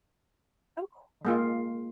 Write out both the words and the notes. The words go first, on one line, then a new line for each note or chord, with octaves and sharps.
Oh, core.
G#3 A#3 F4